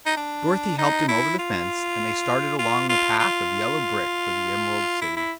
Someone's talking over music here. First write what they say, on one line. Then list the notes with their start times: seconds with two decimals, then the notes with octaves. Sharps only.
Dorothy helped him over the fence, and they started along the path of yellow brick for the Emerald City.
0.06 D#4
0.17 D4
0.78 D#4
1.08 E4
1.39 F4
2.59 F4
2.90 F4
3.20 F4
5.02 E4
5.17 E4